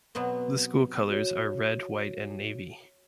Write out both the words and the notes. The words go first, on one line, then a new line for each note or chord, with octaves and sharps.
The school colors are Red, White, and Navy.
B2 F#3 B3 C4
F#4 C#5